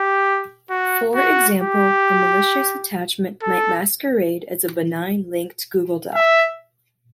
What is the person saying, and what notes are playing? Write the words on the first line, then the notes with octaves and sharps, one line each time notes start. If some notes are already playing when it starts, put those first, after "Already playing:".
For example, a malicious attachment might masquerade as a benign linked Google doc.
Already playing: G4
F#4
F#4
G4
A4
E5